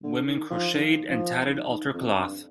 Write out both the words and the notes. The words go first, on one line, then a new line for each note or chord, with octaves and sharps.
Women crocheted and tatted altar cloths.
D3
D#3
F3
D#3
F3
D#3
D#3
F2
G2